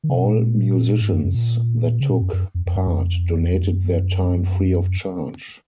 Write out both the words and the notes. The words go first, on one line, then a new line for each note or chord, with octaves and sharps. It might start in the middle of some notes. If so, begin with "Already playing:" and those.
All musicians that took part donated their time free of charge.
D#3
C#3
B2
A#2
G#2
F#2
F#2
A#2
C#3
A#2
F#2
F#2
F2
F2
F#2
F2
F#2